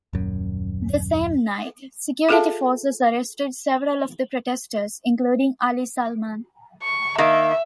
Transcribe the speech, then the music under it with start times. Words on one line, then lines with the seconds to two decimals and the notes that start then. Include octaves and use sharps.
The same night, security forces arrested several of the protesters, including Ali Salman.
0.13 D#1 F#2
2.29 F4 G#4 A4 E5 F5 A5
6.83 C#6
7.18 D#3 A#3 E5